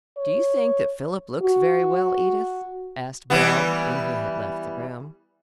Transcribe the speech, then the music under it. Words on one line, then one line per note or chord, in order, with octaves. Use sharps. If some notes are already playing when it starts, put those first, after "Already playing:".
"Do you think that Philip looks very well, Edith," asked Belle when he had left the room.
C#5
F#4
E3 G3 B3